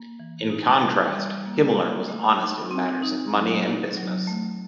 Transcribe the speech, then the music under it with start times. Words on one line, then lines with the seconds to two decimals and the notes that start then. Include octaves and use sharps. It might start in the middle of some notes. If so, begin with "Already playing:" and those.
In contrast, Himmler was honest in matters of money and business.
Already playing: A#3
0.20 E3
0.50 D#4
0.82 G3
1.14 G3
1.46 A#3
1.76 A#3
2.08 A3
2.39 D#4
2.71 C4
3.02 D#4
3.34 F#3
3.65 D#4
3.97 F#3
4.27 A3